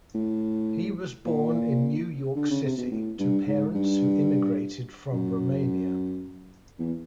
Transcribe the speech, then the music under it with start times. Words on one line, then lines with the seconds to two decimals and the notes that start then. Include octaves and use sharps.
He was born in New York City to parents who immigrated from Romania.
0.14 A2
1.25 A#2
2.36 D3
2.50 C#3
2.64 C3
2.78 B2
2.91 A2
3.19 G2
3.47 G#2
3.75 G2
5.13 F#2
6.79 E2